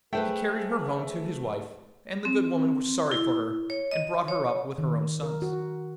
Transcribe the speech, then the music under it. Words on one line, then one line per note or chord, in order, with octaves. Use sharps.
He carried her home to his wife, and the good woman was sorry for her, and brought her up with her own sons.
A3 G#4 B4 C5 G5
C4
E4
C#5
D#5
C#5
D#3
A#4
F#4